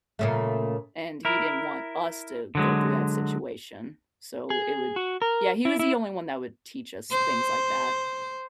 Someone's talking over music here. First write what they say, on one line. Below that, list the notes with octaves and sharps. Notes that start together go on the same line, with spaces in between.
And he didn't want us to go through that situation, so it would Yeah, he was the only one that would teach us things like that.
A#2 C#3 A3
E4 A#4
D3 F#3 G#3
G#4
F#4
A#4
E4
E4
C5